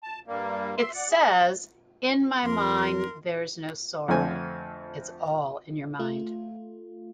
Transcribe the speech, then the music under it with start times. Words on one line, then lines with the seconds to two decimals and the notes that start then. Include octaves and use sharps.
It says: 'In my mind there's no sorrow...' It's all in your mind.
0.03 A5
0.27 G2 G3 A#3
0.78 E5 C6
0.94 D5 F#5
1.10 G#4
2.44 F2 A#4 C6
4.08 F2 D3 F3 A3 C4 G#5
5.99 A3 F4